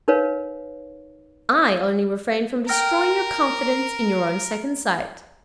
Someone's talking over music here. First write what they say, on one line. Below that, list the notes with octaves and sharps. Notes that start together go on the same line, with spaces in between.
"I only refrained from destroying your confidence in your own second-sight."
D#4 A#4 B4 C#5 F5
A#4 G5 F6 A#6